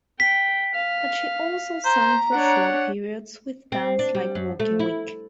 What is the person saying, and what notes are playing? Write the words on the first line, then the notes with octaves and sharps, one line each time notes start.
But she also sang for short periods with bands like Working Week.
G5 B6
F5
C5 A#5
D4 C#5 F#5
C4
D4
G3
F#2
A3
E4